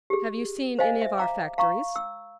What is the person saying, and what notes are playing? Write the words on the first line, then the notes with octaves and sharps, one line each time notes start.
Have you seen any of our factories?
G4 G#4
C5 D#5 F5 G#5
E5
F5 A#5 D6
F5 A#5 C#6
E6